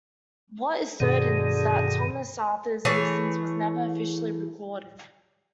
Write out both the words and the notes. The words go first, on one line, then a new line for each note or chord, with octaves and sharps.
What is certain is that Thomas Arthur's innocence was never officially recorded.
G2 B2 D3 D#3 G#4
E3 A3 G#4 C#5